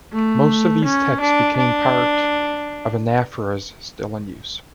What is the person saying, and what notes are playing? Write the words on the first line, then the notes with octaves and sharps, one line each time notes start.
Most of these texts became parts of anaphoras still in use.
A3
C#4
D4
D4